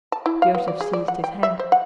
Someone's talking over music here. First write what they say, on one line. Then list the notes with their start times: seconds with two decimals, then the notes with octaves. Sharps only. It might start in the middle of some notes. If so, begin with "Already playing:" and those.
Joseph seized his hand.
0.12 A5
0.26 E4
0.42 F5
0.55 B3
0.68 D5
0.81 G#4
0.93 D5
1.08 F#5
1.24 G5
1.43 E5
1.59 C5
1.72 F#5